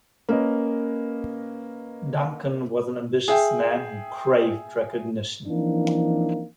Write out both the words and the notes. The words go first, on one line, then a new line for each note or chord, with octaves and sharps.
Duncan was an ambitious man who craved recognition.
A#3 C#4 A#4 B4 D#5
G#4 E5 G5
E3 F3 A#3 C4 D4 D#4